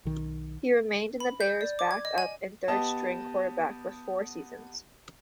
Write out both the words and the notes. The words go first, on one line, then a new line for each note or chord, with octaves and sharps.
He remained the Bears' back-up and third-string quarterback for four seasons.
B1 D#3
B5
G6
D5
D6
G#6
D#5
G#5
B3 G4 D#5 A5